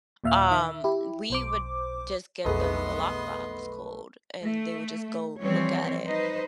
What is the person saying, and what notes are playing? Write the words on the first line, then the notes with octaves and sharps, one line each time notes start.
Um, we would just give them the lockbox code, and they would just go look at it.
D#2 A#2 E5 F5 F6
D#3 E5
E4 G4
B1 C5 D6
B1 F2 A3 B3 G#4 B4 D#5 C6
A3
E3 F3 G3 C4 C#5
D#4 B4 C5 D#5